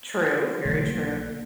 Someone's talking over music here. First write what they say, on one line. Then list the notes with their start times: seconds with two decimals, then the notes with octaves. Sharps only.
True. Very true.
0.65 B1 D3 E3 A3
0.88 A#3